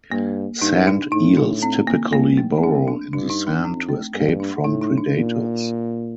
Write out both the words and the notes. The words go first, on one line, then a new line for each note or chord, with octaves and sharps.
Sand eels typically burrow in the sand to escape from predators.
G2 A#3
G2 D#4
D4
A2 D#4
D4
C4
A#3
G2 A#3
A3
C4
F2 D4
D4
G2 D4
D#4
D4
F2 C4
A3
G2 A#3
D4
A2 D#4
D#4
D4
A#2